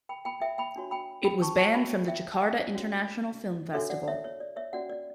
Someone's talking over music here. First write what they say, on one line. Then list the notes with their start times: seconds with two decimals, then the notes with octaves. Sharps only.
It was banned from the Jakarta International Film Festival.
0.09 G5 B5
0.25 G5 B5
0.41 E5 G5
0.58 G5 B5
0.76 D4 F#4 C#5
0.91 G5 B5
1.25 G5 B5
1.42 A5 C#6
1.58 A5 C#6
1.74 F#4 C#5 G5 B5
2.08 E5 G5
2.32 A5
2.42 E5 G5
2.58 D5
2.75 C#4 F#4 C#5
3.73 D4 F#4 A4 C#5 E5
3.90 D5 F#5
4.08 C#5 E5
4.24 C#5
4.40 D5
4.56 C#5 E5
4.73 C#4 F#4 C#5 D5 F#5
4.90 D5